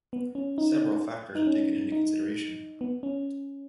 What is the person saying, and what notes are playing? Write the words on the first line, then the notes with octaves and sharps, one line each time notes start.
Several factors are taken into consideration.
B3
C#4
D#4
D#4
C#4
D#4
B3
C#4